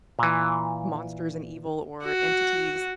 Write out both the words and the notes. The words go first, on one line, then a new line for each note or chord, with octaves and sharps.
m monsters and evil or entities,
A#2 E3
F#4